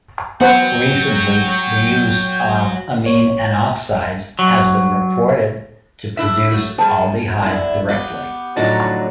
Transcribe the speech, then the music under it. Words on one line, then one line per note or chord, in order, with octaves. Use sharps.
Recently, the use of amine N-oxides has been reported to produce aldehydes directly.
F#3 B3 F#4 C5 F#5 G5
C#5
F#3
D4 E4 E5
F#3 A3
G3 G#3 A5
D3 E4
B3 G4
A2 D3 F3 F#3 D#4 A5